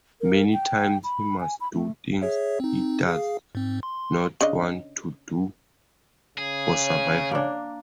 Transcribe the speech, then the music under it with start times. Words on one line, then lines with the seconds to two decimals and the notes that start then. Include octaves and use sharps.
Many times he must do things he does not want to do, for survival.
0.21 A#4
0.53 G5
1.04 B5
1.40 G#5
1.61 B5
1.73 A3
2.22 G#4 C#5 E5
2.60 C4 D#4
3.07 G#4 F5
3.55 G#2 C4
3.83 C6
4.41 C#3 D4 D#5
6.38 C#3 G#4
6.84 C#5
7.31 A#3 D4